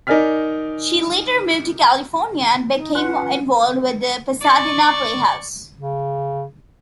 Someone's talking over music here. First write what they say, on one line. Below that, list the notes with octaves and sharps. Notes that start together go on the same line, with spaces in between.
She later moved to California and became involved with the Pasadena Playhouse.
D#4 A#4 D5 G#5 F6 B6
D#4
C#4 F4 B4 F#5
D5 C#6
C#3